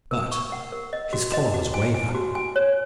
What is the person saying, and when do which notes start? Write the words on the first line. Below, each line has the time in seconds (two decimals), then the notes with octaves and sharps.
But his followers waver.
0.11 A#4
0.32 C#6
0.52 F#5
0.72 A#4
0.93 D#5
1.13 F#4
1.34 D#5
1.54 F#4
1.74 G#5
1.94 G#5
2.15 F#4
2.35 G#5
2.56 C#5